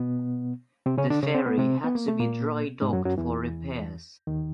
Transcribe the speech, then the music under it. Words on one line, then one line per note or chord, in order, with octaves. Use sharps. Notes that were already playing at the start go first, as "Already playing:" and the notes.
The ferry had to be dry docked for repairs.
Already playing: B2 B3
C3 C4
C#3 C#4
D3 D4
C#3 C#4
C4
B3
C3 C4
B3
A#3
A3
A#2 A#3
G#2 G#3
F#2 F#3
F#2 F#3
E2 E3
D#2 D#3